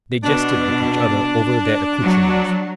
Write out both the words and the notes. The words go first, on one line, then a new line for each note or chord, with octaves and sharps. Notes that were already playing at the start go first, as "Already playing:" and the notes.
They jested with each other over their accoutrements.
B2 D4
F#3